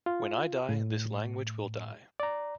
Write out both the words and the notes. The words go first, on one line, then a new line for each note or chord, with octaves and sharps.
When I die, this language will die.
F4
A2
D5 A#5